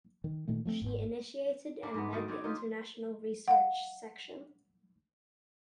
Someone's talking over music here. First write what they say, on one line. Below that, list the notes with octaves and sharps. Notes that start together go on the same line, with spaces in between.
She initiated and led the international research section.
D#3
A#2 D#3 A3
F3 A3 A#3 C4
G1 E2 G#2
A#3 D4 E4
G#2 A3 B3
D#3 F#4 A4
D#3 C4 D4 C#5
D#4 F4 G4
F5 F#5